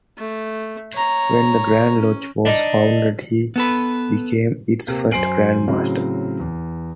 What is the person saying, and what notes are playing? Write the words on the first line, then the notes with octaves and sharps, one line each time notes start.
When the Grand Lodge was founded he became its first Grand Master.
A3
C#5 A#5
C#4
D4 D#4
B3 A4 B4
C3 A#3
F#2 C5 G#5 C7 D7 F#7
A2 C#3 F#3 C4 F#4
E2